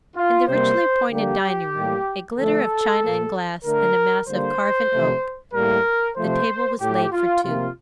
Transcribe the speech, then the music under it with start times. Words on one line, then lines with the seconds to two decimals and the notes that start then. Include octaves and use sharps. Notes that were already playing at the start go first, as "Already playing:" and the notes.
In the richly appointed dining-room--a glitter of china and glass and a mass of carven oak--the table was laid for two.
0.16 F4
0.48 C3 G3 A#3 C5
1.11 D3 G3 A#3 G4
1.75 A2 G3 A#3
2.37 D3 F3 A3 A4
3.01 A#2 F3 A#3
3.64 D3 A3 A#4
4.27 D3 G3 A#3 C5
4.91 C3 F3 A3
5.54 A2 G3 A#3 A#4
6.17 C3 F3 A3 C5
6.80 A2 A3 G4
7.12 F4
7.44 C3 F3 A#3 F4